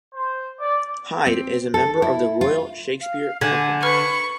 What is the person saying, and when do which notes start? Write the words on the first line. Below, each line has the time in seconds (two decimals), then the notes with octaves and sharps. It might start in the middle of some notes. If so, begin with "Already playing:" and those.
Hyde is a member of the Royal Shakespeare Company.
0.14 C5
0.60 D5
1.27 C4
1.74 A4
2.02 E4
2.41 F4
3.01 F5
3.41 D3 G#5 G#6
3.83 B4 B5 C#6 F6 G#6